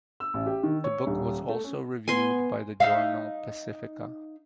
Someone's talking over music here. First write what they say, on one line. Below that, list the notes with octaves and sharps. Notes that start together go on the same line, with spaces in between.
The book was also reviewed by the journal "Pacifica".
E6
A1
G4
D#3
C#5
D#1
A3
C#4
B3 G#5 C6
D#4 E5 F5